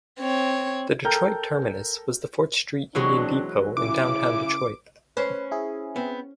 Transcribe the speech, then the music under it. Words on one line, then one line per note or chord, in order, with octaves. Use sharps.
The Detroit terminus was the Fort Street Union Depot in downtown Detroit.
C4 C#5
A4 A#4 G5 A#5 F6 G6
B2 E3 F#3 G#3 C4 D4
C#3 E4 D6
C#4 B4 C5
E4 G#4
B3 C4